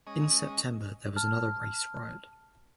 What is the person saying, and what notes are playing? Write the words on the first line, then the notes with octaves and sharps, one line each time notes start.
In September there was another race riot.
G#3 C#4 D#5
A5 F6